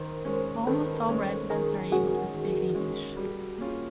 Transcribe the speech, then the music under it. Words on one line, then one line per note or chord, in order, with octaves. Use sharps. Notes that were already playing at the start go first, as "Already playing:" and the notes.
Almost all residents are able to speak English.
Already playing: D#3 A#4 C5
G#3 C#4
D#3 A4 B4
G#3 C#4
D#3 G#4 A#4
G#3 C#4 F#4 G#4
D#3
G#3 C#4
G3
A#3 C#4 F4